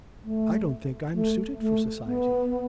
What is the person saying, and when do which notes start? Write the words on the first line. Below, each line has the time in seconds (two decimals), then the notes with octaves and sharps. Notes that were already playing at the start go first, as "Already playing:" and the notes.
'I don't think I'm suited for society.'
0.24 A3
1.14 A3
1.61 A3
2.06 B3